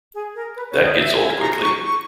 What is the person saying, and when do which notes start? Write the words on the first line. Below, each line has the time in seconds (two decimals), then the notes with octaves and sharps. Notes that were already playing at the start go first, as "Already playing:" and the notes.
That gets old quickly.
0.14 G#4
0.35 A#4
0.56 B4
0.71 C#5
0.84 D#5
0.99 E5
1.19 G#5
1.41 A#5
1.62 C#6
1.82 C#6